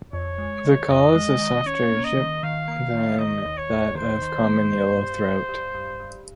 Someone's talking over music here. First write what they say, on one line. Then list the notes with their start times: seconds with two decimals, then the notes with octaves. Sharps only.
The call is a softer "jip" than that of common yellowthoat.
0.13 F2 C#5
0.38 G#3
0.65 D#3
0.90 F2 D#5
1.15 G#3
1.41 D#3
1.66 C#4 C#5
1.92 A#3
2.04 D#5
2.17 D#3
2.43 D#3 F5
2.68 A#3
2.93 D#3
3.19 D#3 D#5
3.45 D#2
3.57 C#5
3.70 D#2
3.95 D#3 C5
4.22 D#3
4.46 A#3
4.72 G2
4.97 G2
5.24 G2
5.49 G2
5.74 G2
6.00 G2